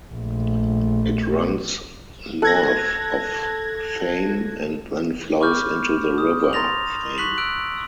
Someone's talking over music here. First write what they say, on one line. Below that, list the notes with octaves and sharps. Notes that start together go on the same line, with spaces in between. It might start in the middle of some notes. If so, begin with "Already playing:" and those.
It runs north of Thame and then flows into the River Thame.
A#1 A3
A4 F#6 G#6 A#6
B5 C#6 D6 F6 G6
D#6
A#5 C6 A6 A#6 F7
C#6 F#6 B6 F#7
E6 F#6 D7